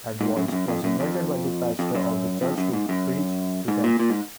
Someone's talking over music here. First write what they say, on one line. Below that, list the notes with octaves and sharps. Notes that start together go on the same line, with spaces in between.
Edwards was invited by the pastor of the church to preach to them.
G#2
F#2
F2
F#2
F2
F#2
F2
F2
F#2
F2
F#2
G#2
F#2
G#2
A#2
A#2
G#2